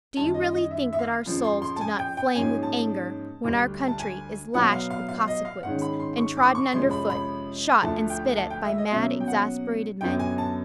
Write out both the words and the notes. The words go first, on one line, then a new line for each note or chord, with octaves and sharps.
Do you really think that our souls do not flame with anger when our country is lashed with Cossack-whips, and trodden under foot, shot and spit at by mad, exasperated men?
F#2 D#3 G3 A5
D#5
D#5
E5
E5
F5
F2 C#3 F3
C6
C6
A5
G#5
G5
G5
G#2 F3 A#3 C#4 G#5
A5
D2 D3 G3
A5
G#5
B2 F#3 B3 F#5
F5
F5
F5
D#5
F5
G#2 D#3 G#3 C#4 F#5
B5
C6
C#6
D6
C#6
F2 C3 F3 G#3 C#4 C6
B5
B5
D2 D3 F3 A3 A5
G5
A5
G5
E5
D#5
B2 F#3 A#3 C#4 E5
G5
F#5
F#2 D3 F#3 B3 G5
G#5
A5